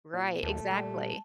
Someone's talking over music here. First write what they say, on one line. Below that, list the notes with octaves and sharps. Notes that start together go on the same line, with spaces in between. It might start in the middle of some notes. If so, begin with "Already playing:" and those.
Right, exactly.
A#2
D#2 A3 A5
G3